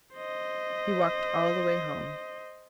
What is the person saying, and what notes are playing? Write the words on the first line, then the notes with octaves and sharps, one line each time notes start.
He walked all the way home.
C5 D#5